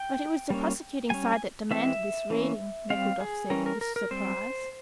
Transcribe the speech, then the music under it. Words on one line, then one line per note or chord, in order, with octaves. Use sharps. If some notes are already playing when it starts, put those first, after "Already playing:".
"But it was the prosecuting side that demanded this reading," Nekhludoff said, with surprise.
Already playing: G5
G3 A#3 C#4
G3 C#4 G#5
E3 G#3 C4 E5
E3 A#3 C#4
G3 C4 F5
G#4
E3 G3 C#4 A#4
A#4
A#4
A#4
G3 C4 C5